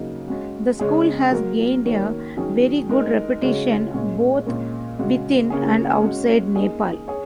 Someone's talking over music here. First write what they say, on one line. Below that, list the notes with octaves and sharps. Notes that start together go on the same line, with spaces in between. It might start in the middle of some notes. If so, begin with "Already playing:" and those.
The school has gained a very good reputation both within and outside Nepal.
Already playing: C#3 F#3 A#3 D#4 F#4
G#3 C#4 F#4
C#3 G#3 C#4 G#4
F#3 A#3 F#4 A#4
D#3 A#3 F#4 A#4 C#5
D#3 F#3 C#4 G#4
G#3 D#4 A#4
C#3 G#3 F#4 C#5
A#2 G#3 C#4
A#2 G#3 C#4 A#4
C#3 G#3 F#4
C#3 A#3 C#4 G#4
G#3 C#4 F#4 C#5
A#3 D#4 G#4
G#4 C#5